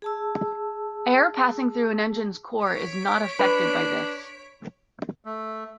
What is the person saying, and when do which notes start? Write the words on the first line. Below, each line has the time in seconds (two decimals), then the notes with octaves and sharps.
Air passing through an engine's core is not affected by this.
0.02 G#4 A5 E6
2.64 C#5 B6 D7
3.39 D4 B4
5.25 A3